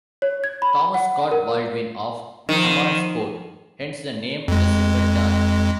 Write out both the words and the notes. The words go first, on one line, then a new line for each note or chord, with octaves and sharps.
Thomas Scott Baldwin of Hammondsport; hence the name the "Silver Dart".
C#5
G#6
B5
F#5
A#4
D#3 F3 C5
F2 G#3